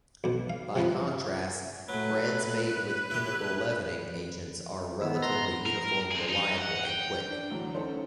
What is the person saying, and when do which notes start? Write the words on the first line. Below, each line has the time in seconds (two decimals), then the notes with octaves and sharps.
By contrast, breads made with chemical leavening agents are relatively uniform, reliable, and quick.
0.24 B1 B2
0.50 F5
0.76 C3 F3 F4 B4
1.89 A2 F#3 B4
3.11 E4 G4
5.02 D#3 B3 E4
5.22 A#5 C6 A#6
5.66 A#4
6.12 C4 G#4
6.29 D#4
6.58 F#5
6.85 G5
7.30 D4
7.50 D2 A2 D3 E3 F#3
7.75 C#4 D#4 A4 C5